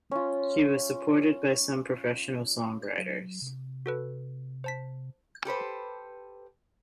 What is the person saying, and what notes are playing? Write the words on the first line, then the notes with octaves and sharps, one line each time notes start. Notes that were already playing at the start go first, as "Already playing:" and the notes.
She was supported by some professional songwriters.
C#4 F4
F#3
C3
F#4 A4 B4
C5 A5 B6
G4 A4 B4 C5